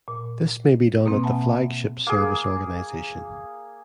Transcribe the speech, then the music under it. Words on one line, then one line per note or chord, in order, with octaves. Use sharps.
This may be done at the Flag Ship Service Organization.
A#2
B2 A#3 C4
E5 F#5 G#5 A5 B5
A#3 G#4